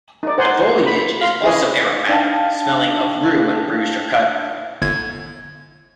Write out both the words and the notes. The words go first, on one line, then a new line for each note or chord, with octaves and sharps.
The foliage is also aromatic, smelling of rue when bruised or cut.
D#4 D5
C5 F#5 G#5 C6
B5
F5 C6
G#4 B4 C#5 D#5
D4 D#4 F5 G5 A5
G1 G#6